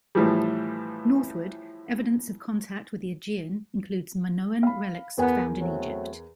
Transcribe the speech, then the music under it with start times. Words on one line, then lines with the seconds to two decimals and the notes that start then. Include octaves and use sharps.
Northward, evidence of contact with the Aegean includes Minoan relics found in Egypt.
0.15 A2 E3 F3 G3
4.63 F5 B5
5.17 E2 B3 A#4 G#5
5.60 F#3 A3 C4